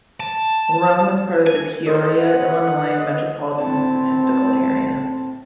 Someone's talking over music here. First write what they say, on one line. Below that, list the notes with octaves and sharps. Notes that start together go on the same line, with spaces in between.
Rome is part of the Peoria, Illinois Metropolitan Statistical Area.
A5
G#5
A4 C5 D#5
B4 F#5
D#5
A2 C4 A5